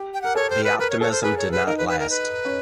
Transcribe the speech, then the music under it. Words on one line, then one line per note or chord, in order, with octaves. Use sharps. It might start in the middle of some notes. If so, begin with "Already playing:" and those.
The optimism did not last.
Already playing: G4
G5
A#4 F#5
A4 C#5
C5
B4
A#4 B4
C#5
A4 C#5
C5
G#4 B4
C#5
B4
D#4 A#4
B4
B4
A#4
B4
C#4